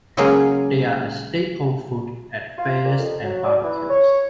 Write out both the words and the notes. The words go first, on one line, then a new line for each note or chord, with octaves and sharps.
They are a staple food at fairs and barbecues.
C#3 F#3 G#3 A#3 C#4 G#4
F4
A#2
F2
F#3
D5
E3
C#5